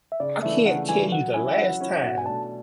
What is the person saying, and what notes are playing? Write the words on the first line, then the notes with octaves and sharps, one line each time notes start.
I can't tell you the last time
E5
C#3 D5
E3 A3 D4 E5
C#3 F#5
E3 A3 D4 G#5
F#3 F#5
C#4 E4 G#5
E5
F#3 F#5
C#4 E4
B2 F#5
G#5
A3 D4 A5